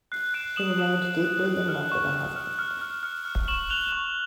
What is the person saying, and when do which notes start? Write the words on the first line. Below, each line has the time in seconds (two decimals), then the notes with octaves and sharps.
She remained deeply in love with her husband.
0.12 F#6 C7
0.34 F#6 D7 E7
0.56 D#6 E7 F#7
0.79 D#6 E7 F#7
1.02 F#6
1.25 F#6
1.46 F#6
1.68 F6
1.92 C#6
2.14 C#6
2.36 F6
2.59 F6
2.82 F6
3.03 F6
3.25 F6
3.48 C#6 E7 F#7
3.70 F#6 F7 G7
3.92 C#6